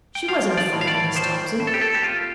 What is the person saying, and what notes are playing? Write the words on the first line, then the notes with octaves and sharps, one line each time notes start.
She wasn't afraid of Miss Thompson.
G5
F3 F5
F3
D5
A2
F5
D5
A2
F3 C5
F3
A2 C5
A4
G4
A2 A4
G4
F3 F4